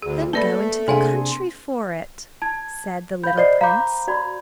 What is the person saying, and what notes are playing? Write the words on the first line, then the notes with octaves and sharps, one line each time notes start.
"Then go into the country for it," said the little prince.
D2 G#4
A3 A#3 A4 B4 D5 B5
C3 D4 G#4 A4 C5 F5 F#5 G#5
A5 G#6
F5 B5 G6
C5 D5 D#5 C7
F5 A#5 B5 D6 G6
F#4 D5 B5